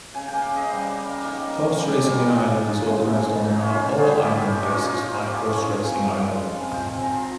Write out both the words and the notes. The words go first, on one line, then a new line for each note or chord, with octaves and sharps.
Horse racing in Ireland is organised on an All-Ireland basis by Horse Racing Ireland.
C#3 G#5
G5
A#3
F5
C#3 D#5
G3 C5
C#3
A#3
D#3 A#4
A#3
C#4
G3 G4
D#3
F4
A#3
C#3
G#3
C#3
F3
C#3
G#3
A#2 D#4
C#4
F4
A#2
G3 G#4
G4
A#2 G#4
G4
C#4 F4
F3 D#4
F4
C#4 D#4
F3
A#3 F4
F3 G4
G#4
C#4 C#5
C#3 F5
C4
C#3
G#3
C#3
C4
F5
F3 G5
C4 G#5
A#5
F3 C6